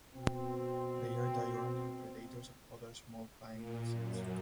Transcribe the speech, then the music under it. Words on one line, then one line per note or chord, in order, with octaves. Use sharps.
They are diurnal predators of other small flying insects.
B2 C4
A#2
F#2